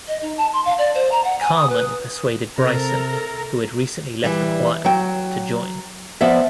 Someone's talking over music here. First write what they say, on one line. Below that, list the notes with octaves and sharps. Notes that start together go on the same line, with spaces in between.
Carmen persuaded Bryson, who had recently left The Choir, to join.
D#5
D#4
A5
C6
F5
D5
C5
A#5
F#5
G#5
D#6
B4
C3 A4 A#4 A#5
E3 G3
F#3 G5
F3 B3 D5 E5